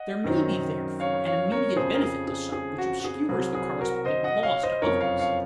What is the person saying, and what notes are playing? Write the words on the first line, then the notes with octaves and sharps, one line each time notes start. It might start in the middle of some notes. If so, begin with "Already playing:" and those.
There may be, therefore, an immediate benefit to some, which obscures the corresponding loss to others.
Already playing: D#5 F#5
F#2 D#3 F#3 C4
C#5 F5
C#5 F5
A#4 C#5
F2 C#3 F3 G#4 C5
A#4
G#4
G#4
G#4
F#4
F#4
G#4
C2 C3 F#3 C4 G#4
G#4
F#4 A#4
C5 D#5
D#5 F#5
C#5 F5
C5 D#5
F#1 F2 C3 F3 A#4 C#5
C#5 F5
C#5 F5